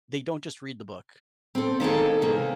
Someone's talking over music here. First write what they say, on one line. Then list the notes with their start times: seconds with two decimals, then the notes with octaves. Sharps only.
they don't just read the book.
1.55 C4 A4
1.80 D#3 A#3 G#4 A4
2.22 C3 E3 A#3